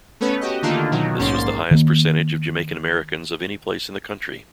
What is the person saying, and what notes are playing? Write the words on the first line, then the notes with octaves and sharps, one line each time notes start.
This was the highest percentage of Jamaican Americans of any place in the country.
A3 B3 C#4 B4 C#5
F#4 G4 D#5
D3 D#3 A3 A#3 D4 F4
B2 D#3 F#3
A#1 G#2 A#3 C#4 C6 A6
D#3 A#3